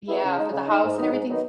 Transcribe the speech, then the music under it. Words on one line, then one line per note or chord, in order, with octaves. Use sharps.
yeah, for the house and everything.
G#3 B3 E4
C#3
G#3 D#4
C#3
G#3 D#4
G#2
D#3 F#3 B3 D#4
G#2
D#3 F#3 B3 D#4